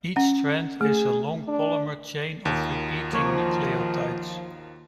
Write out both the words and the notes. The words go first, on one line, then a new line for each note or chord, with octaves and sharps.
Each strand is a long polymer chain of repeating nucleotides.
C#4 F#5
A3 G#4
D4
D#2 D#3 F4 F#4
F3 A#3 C#5